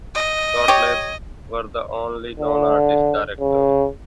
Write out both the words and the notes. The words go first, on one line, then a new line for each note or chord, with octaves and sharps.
Gottlieb were the only non-artist directors.
D#5
G4 C#5
D3
C#3